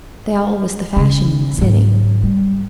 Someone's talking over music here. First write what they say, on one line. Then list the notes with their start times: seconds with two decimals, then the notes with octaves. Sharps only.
They all was the fashion in the city.
0.97 C#3
1.58 G#2 F#3
2.23 G3